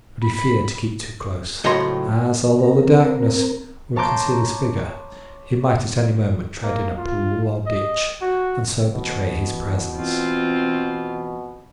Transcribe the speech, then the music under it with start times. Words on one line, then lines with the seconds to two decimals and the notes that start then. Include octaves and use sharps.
But he feared to keep too close, as, although the darkness would conceal his figure, he might at any moment tread in a pool or ditch, and so betray his presence.
0.22 B5
1.64 C#2 A2 F#3 C5 A#5 C6
2.60 C4 A#4
3.96 C#5 A5 A#5 C6 D6 G6
6.62 A#3
6.97 F4
7.66 D#5
8.21 F#4
8.93 B2 E3
9.95 C4 F4